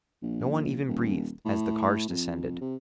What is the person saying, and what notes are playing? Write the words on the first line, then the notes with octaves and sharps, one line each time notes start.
No one even breathed as the cards descended.
A#1
D#1
A2
F2
C3